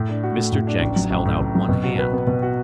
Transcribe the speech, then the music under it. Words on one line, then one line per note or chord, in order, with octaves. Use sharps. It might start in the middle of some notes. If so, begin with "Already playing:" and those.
Mr. Jenks held out one hand.
Already playing: A2
D4
F#4
A3
A2
D4
A1
F#3
A1
A2
A1
F#3
B2
F#4
B4
B3
B2
F#4